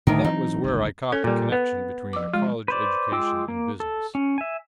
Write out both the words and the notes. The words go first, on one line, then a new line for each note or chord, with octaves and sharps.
That was where I caught the connection between a college education and business.
D2 A2 D#3
E3 F#3 C4 D#4
G1 C#2
C#4 A4
A#2 G3
B3
F3 D6
G#3 F4
B4 C5 D5
G#3 F4 G5 D6 E6
A#3
A4
C#4
E5 G#5